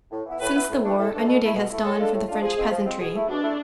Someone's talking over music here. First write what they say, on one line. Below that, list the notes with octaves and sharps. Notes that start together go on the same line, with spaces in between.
Since the war a new day has dawned for the French peasantry.
A2
E3 B3 E4
A2 B4
E3 B3 E4
A2
E3 A3 D4
A2 A4
E3 A3 D4
B2
A3 E4
B2
A3 E4
A2 A4
G#3 D4 F4
A2
G#3 D4 F4
F3 G#4
G#3 C4 F4
F3
G#3 C4 F4
B2 G#4
A3 E4
B2 D4
A3 E4